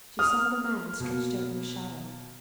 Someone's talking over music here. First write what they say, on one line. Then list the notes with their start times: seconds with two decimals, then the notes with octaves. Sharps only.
She saw the man stretched out in the shadow.
0.19 D#6 F6
1.00 B2 A#3